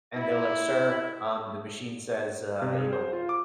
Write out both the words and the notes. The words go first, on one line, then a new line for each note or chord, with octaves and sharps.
and they're, like, "Sir, um, the machine says, uh, you know,
E4
C3
G#4
C5
F4
D6